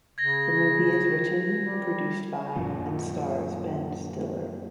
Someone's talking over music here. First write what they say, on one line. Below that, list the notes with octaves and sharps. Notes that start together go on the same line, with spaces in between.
The movie is written, produced by and stars Ben Stiller.
C#3 G#6 A#6
G3
F#2 A#2 F3